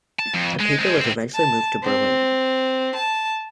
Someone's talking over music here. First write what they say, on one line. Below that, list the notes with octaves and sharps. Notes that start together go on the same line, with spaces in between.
The paper was eventually moved to Berlin.
A5
F2
G#3
G#3 C4
A2 C4
A5
C4
A5